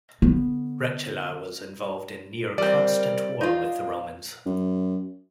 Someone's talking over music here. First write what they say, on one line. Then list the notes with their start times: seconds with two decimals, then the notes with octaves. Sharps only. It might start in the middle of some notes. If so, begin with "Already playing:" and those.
Rechila was involved in near constant war with the Romans.
0.22 D3 B3
2.58 G3 C4 A#4 D5
3.41 D#4 F4 F5
4.45 F#2